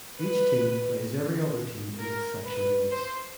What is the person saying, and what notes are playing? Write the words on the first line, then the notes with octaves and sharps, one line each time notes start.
Each team plays every other team in its section once.
B4
A#4
B4
C5